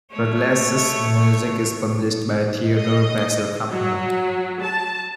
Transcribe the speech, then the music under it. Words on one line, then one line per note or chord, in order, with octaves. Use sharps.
Ruggles's music is published by Theodore Presser Company.
A3 C#5
D#5
F#3
A5